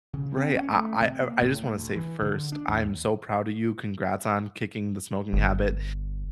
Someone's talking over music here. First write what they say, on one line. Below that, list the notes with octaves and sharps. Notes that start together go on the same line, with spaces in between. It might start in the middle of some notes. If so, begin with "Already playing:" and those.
Right, I I uh, I just wanna say first, I'm so proud of you, congrats on kicking the smoking habit,
C#3
C4
C#4
A3
C3
A#3
A2
D2
E3
D3
D4
D#2
G1